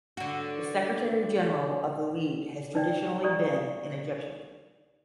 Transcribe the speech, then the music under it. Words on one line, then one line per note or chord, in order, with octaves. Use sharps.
The Secretary General of the League has traditionally been an Egyptian.
D3 F#4
D#4 D5 G5
E4 G4 D5 C#6 D#6